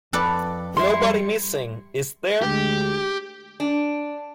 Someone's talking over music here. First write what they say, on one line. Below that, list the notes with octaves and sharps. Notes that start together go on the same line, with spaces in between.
Nobody missing, is there?
F2 A4 B4 D5
G3 E4 C6 C#7
D2 G#3 G4
D4